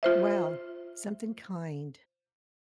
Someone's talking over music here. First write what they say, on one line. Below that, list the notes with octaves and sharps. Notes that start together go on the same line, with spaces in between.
Well, something kind?
F4 C5 E5